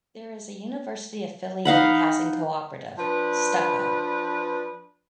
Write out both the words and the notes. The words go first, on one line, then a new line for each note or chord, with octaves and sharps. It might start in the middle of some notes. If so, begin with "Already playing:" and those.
There is a university-affiliated housing cooperative, Stucco.
D#4 F5 F#5 B5
F3 D4 B4